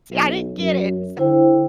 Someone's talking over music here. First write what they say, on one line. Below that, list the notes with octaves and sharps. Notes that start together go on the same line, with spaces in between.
See, I didn't get it, so
B1
F#2
D3 E4 C5 G5